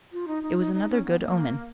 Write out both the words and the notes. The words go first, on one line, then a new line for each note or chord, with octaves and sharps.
It was another good omen.
F4
D#4
D#4
D#4
D#4
C#4
B3
A#3